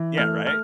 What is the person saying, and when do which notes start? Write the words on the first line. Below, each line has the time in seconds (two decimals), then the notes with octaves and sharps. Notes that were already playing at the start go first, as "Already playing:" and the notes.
Yeah, right?
Already playing: E3
0.18 A3 F6
0.47 F6